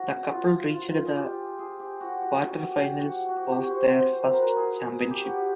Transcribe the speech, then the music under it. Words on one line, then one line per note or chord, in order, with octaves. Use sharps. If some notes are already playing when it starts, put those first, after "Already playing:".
The couple reached the quarterfinals of their first championship.
Already playing: F#4
F4
F4
G#4
G4
G#4
G4
F#4
F#4
F#4
G4
F#4
F#4
G4
F#4
G4
F#4
C5
C5
B4
A#4
B4
G#4
G#4
G4
F#4
G4